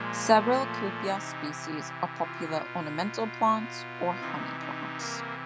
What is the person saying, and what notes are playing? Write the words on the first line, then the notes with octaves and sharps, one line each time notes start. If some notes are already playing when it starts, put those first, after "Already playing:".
Several "Cuphea" species are popular ornamental plants or honey plants.
Already playing: A#2 F3 G#3
A3
C3 E3 D#4
F4
B2
C3 E3 D#4
D#4
A#3